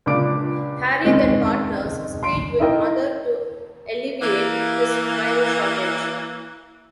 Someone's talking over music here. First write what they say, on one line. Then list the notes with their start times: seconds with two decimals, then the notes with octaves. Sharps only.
Harry then partners Speed with Mother to alleviate his driver shortage.
0.06 C#2 A#2 D4 D6 D7
1.04 D#3 G#3 C4 C#4
2.23 C6 D7
2.60 D#4 E4 A#4 D#5 G5
4.22 E3 A#3